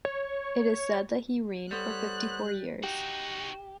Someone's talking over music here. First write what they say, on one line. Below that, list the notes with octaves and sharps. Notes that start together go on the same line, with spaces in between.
It is said that he reigned for fifty-four years.
C#5
G3 B3 A4 C5 C#5 F#6
D#4 F#4 G4